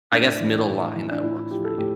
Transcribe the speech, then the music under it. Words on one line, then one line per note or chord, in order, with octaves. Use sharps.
I guess, middle line that works for you.
A2 D4
E3
A2
E3
D4
A2 E4
E4
F3 G4
A4
A2 G4